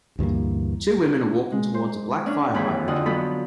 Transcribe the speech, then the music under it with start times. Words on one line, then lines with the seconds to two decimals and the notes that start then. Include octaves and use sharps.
Two women are walking towards a black fire hydrant.
0.19 D2 G2 E3 A#3
1.52 G#3
1.74 C5
2.26 C#4 D4 C#5
2.54 D#2 E3 C4 G#4 B5
2.88 F2 D3 F4 F#4 F#5 D#6
3.06 F3 F#3 B3 A4 B5